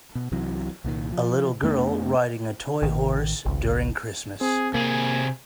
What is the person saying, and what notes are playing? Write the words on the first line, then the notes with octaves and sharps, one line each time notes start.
A little girl riding a toy horse during Christmas.
B2
C2 C3 E3 F#3
C2 A#2 D#3
F3
F2 A3 B3 D4
A1 D#3
G#1 C#2
C4 G#4
C3 A#3 G#4 G#5